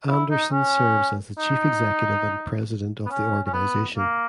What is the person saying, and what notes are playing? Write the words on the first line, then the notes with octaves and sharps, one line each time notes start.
Anderson serves as the Chief Executive and President of the organization.
E4
D#4
C#4
D#4
B3
C#4
C#4
B3
A#3